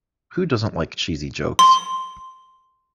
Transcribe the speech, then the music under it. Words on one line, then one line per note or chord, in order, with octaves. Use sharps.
Who doesn't like cheesy jokes?
C6